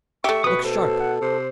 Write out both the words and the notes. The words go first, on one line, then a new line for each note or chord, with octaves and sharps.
Look sharp!
A3 G4 E5 C#6
B2 B4 D#6
A4 C5
F#5
C3 C5